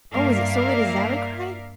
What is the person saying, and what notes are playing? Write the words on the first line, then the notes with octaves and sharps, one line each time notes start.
"Oh, is it so late as that?" I cried.
G2 A#3 A#4 D5 E5 F5